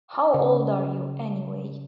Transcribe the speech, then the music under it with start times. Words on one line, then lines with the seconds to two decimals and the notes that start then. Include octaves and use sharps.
How old are you anyway?
0.34 C#3